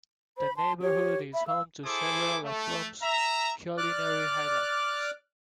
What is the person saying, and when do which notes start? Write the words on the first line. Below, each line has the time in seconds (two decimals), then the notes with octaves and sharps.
The neighborhood is home to several of Rome's culinary highlights.
0.38 C5 B5
0.57 A5 C6
0.82 G4 C#5
1.34 E5 B5
1.47 F5 E6
1.85 E4 G#4 A4 C5 G#5 D6
2.45 A3
3.02 E5 A#5
3.78 D5 D6 F6 F#6